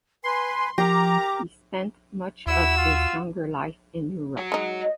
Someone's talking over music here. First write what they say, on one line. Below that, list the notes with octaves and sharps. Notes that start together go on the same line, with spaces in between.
He spent much of his younger life in Europe.
B4 G#5 C6
F3 G4 A#4 A#5 D6
D#2 E4 F#4 E6
F4
F#4 C#5
G#3 D#4
D#5